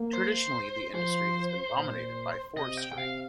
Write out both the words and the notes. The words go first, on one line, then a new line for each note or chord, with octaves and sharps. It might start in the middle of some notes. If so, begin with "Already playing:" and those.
Traditionally the industry has been dominated by forestry.
Already playing: A#3
C5
F3 C5
A#2
C3 D#5
G5
G5
C3 F5